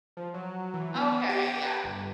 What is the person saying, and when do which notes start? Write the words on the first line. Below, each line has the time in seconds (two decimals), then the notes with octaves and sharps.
Okay, yeah.
0.17 F3
0.34 F#3
0.74 E3
0.95 B3
1.29 G4
1.43 G4
1.62 B4
1.84 G1